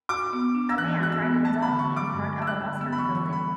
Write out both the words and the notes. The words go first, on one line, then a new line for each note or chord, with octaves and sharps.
A man riding a donkey in front of a mustard building.
F#4 D6
B3
D4
E6
E3 F#6
F#4 F#6
E6
B3
A3 A5
B5
D3
C#6
F#3
D6
G2
A3
E6
F#6
D3
B3 E6
B5
C#6
E3
C#6
G3
B5